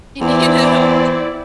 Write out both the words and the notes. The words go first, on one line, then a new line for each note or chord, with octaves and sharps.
y you know
E2 C4 E4 D5